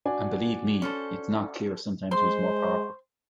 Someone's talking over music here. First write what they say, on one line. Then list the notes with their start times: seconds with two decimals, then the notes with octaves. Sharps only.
And believe me, it's not clear sometimes who's more powerful.
0.05 D4 F#4 G#5
0.82 C#4 A4 C5
2.11 G#3 C5 C6